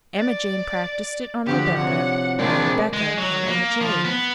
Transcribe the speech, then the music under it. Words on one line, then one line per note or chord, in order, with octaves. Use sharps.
Emma Jane practiced it on Rebecca, and Rebecca on Emma Jane.
D5
D3 F3 F#4 G4
C3 C#5 F#5
G#3 A#3 D4 G4 C5 D5
G#3
F#3
A#3
F3
B3